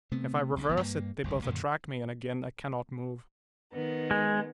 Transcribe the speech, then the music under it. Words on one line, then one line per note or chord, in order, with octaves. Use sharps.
If I reverse it, they both attract me, and again I cannot move.
C3 A3 B3 C4
B1 C#3
G1 E3 B3
G2 A#3
G1 C2 F2 G#2
F#2 A#2 D3 D#3
D#3 B3
G#3